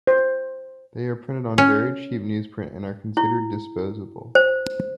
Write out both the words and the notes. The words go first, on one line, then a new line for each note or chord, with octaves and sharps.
They are printed on very cheap newsprint and are considered disposable.
C5
C#4
E4
C5